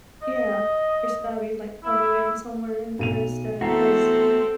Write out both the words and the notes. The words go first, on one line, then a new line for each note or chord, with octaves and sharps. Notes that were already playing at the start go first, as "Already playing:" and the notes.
Yeah, there's gotta be like a medium somewhere in there instead 'cause
D#5
E4
B1 D#7 F7
E3 A3 B3 C4 F#4 A4 A#5 C7